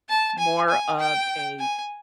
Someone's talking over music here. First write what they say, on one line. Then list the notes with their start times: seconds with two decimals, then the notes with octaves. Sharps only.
more of a,
0.09 A5
0.38 G#5
0.69 G#5
0.99 G5
1.59 G#5